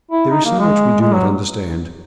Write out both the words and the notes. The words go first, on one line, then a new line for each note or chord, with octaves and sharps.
There is so much we do not understand.
E4
D#4
A#3
G#3
G#3
F#3